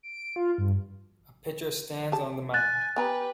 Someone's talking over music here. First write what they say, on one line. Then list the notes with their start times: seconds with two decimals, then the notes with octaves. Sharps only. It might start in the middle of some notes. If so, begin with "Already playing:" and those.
A pitcher stands on the mound.
0.03 D7
0.36 F4
0.58 G2
2.12 G4 A5
2.54 G#5 F#6 A6
2.96 B3 G4 B4 G#5 A#5